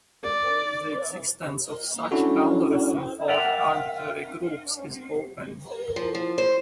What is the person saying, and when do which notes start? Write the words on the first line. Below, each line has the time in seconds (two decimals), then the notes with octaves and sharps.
The existence of such algorithm for arbitrary groups is open.
0.24 D5
2.11 C#4 D4 E4 F#4 A4
3.28 A#4 D5 E5 F#5 G5 A#5
5.96 F3
6.15 F3
6.38 C5